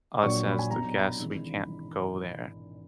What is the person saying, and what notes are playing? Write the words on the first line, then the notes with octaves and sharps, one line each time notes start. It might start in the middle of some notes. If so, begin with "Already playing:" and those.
us as the guests, we can't go there,
A#1 A#2 F#3 C#6
B5
G#5
B1 B2 F#3 A#5
B5
G#1 G#2 E3